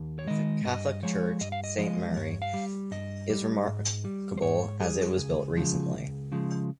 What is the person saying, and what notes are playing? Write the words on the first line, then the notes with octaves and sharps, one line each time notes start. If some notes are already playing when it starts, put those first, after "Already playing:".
The Catholic Church "Saint Marien" is remarkable as it was built recently.
Already playing: D#2
C#5
D#3 G#3 D#5
G2 D#5
F3 G#3 C#5
G2 D#5
F5
D#5
F3 G#3 D#5
G2 C#5
F5
G3
G2 D#5
G3
G#2
G3
C5
G#2 C#5
G3 G#4
C#2
C#3 F3 G#3
C#2
C#3 F3 G#3